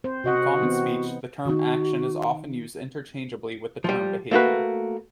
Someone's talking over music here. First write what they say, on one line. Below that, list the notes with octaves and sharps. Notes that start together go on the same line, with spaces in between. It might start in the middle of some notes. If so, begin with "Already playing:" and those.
In common speech, the term action is often used interchangeably with the term behavior.
C4 C5
C3 F#4 D#5 F#5
E3 B3 C4
D#3 D#4 F#4
F3 G3
A3 A#3 F#4 B4